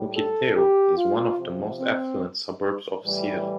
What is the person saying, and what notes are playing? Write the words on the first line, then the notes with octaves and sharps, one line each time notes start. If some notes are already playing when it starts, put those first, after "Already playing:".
Mukilteo is one of the most affluent suburbs of Seattle.
Already playing: A2 G3
A4
G4
F4
C3 F3
C4
A2 E3 G3